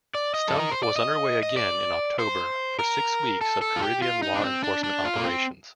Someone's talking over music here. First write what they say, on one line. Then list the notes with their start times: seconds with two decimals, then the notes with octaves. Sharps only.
"Stump" was underway again in October for six weeks of Caribbean law enforcement operations.
0.15 D5
0.34 D#5
0.48 A4
0.60 A#4
0.72 C5
0.83 D5
0.96 D#5
1.43 D#5
1.57 D5
2.19 C5
2.79 A#4
3.41 A4
3.62 A4
3.76 F4
3.82 G4
4.02 F4
4.23 D#4
4.34 D4
4.43 C4
4.64 D4
4.84 D4
5.05 F4
5.16 A#3
5.24 C4